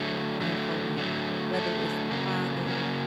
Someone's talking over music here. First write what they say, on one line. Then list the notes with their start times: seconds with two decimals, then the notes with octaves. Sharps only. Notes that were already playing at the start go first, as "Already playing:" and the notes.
uh, for one, whether it's the father,
Already playing: D3 F#3 A3
0.41 D3 F#3 A3
0.97 D3 F#3 A3
1.53 D3 F#3 A3 A4
2.11 C#3 F#3 A#3
2.66 C#3 F#3 A#3